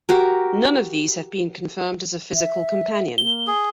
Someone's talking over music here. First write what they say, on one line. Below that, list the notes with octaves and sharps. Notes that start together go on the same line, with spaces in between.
None of these have been confirmed as a physical companion.
F#4 G4 A#4
E5
A#3 G7
G#4